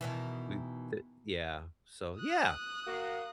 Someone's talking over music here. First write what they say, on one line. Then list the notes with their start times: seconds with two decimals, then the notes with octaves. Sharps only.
We the Yeah, so yeah.
0.01 B2 D#3 E3
2.17 D#6 F#6
2.86 A#3 F#4